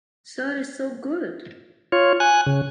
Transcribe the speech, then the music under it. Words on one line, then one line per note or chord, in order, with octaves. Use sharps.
Sir is so good!
F4 C#5
G#5 F#6
C#3